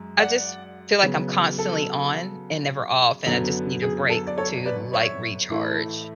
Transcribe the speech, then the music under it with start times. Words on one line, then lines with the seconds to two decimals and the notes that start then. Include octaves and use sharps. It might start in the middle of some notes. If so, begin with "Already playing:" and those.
I just feel like I'm constantly on and never off, and I just need a break to, like, recharge.
Already playing: F#2 G#3
0.18 D5 F#5
1.03 C#3 F#3 B3
1.58 A4
3.26 F#2 D3 F#3 B3
3.82 G#4
4.09 A4
4.27 D5
4.38 A4 C#5
4.65 B4 D5
4.93 C#5 E5
5.50 A2 E3 A3 E4